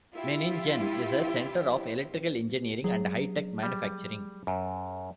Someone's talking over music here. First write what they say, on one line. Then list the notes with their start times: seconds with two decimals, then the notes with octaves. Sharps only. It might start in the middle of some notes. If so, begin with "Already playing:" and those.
Meiningen is a center of electrical engineering and high-tech manufacturing.
0.15 E4 F4 G4
2.84 F#3 G#4
3.63 G3
4.47 F#2